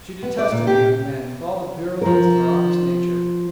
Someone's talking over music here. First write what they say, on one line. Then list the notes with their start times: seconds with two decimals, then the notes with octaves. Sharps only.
She detested the young man with all the virulence of her honest nature.
0.23 B3
0.38 D5
0.51 A#2
0.67 G4
2.01 F3 A#4